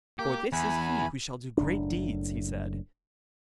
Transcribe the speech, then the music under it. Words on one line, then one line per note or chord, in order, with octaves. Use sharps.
'For this is he who shall do great deeds,' he said.
A#3 G4 D6
E2 G#5 B5
F#1 A2 D4